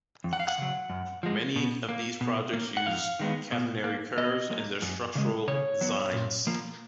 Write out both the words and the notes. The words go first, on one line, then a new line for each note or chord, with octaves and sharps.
Many of these projects use catenary curves in their structural designs.
F2
F#5
F5
F#5
C#3 F#3
F#2
F3 G#3
B2
A#3
B2
A#3
F#5
F2 F5
D#3 G#3 B3
B2
A#3
B2 D#5
F#3 A#3
F#2
C#3 G#3
C#3 C#5
F#3 B3
A#2
F3 A#3